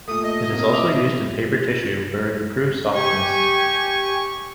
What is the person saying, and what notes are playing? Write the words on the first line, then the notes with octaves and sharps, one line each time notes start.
It is also used in paper tissue where it improves softness.
A#2 A3 D#6
D#5
C3 A#3
E5 D6 F7
G4 G#5 C#6